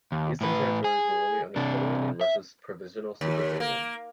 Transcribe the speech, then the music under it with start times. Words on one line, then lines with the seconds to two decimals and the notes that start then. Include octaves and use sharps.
Eastern territories were only under Poland and Russia’s provisional supervision.
0.12 D#2
0.41 A2 B4
0.84 G#4
1.56 C3 D4
2.21 E5
3.21 D#2
3.60 A#3